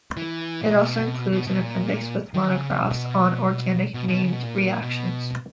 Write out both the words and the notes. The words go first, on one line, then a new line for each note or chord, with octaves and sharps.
It also includes an appendix with monographs on organic named reactions.
E3
A#2
B2
B2
B2
A#2
D#3
C#3
B2
B2
B2
C#3
B2
A#2
B2